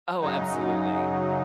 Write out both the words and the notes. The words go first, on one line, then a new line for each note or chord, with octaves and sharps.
Oh, absolutely.
F#2 C#3 F#3 D#4